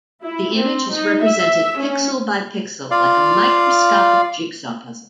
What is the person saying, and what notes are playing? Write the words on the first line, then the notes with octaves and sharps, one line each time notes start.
The image is represented pixel by pixel, like a microscopic jigsaw puzzle.
E4
C4
D#4
E5
C#4
F4 D5 F5